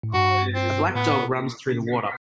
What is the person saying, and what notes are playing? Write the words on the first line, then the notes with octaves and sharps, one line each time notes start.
A black dog runs through the water.
A2
G2 F#4
C4
A2 B3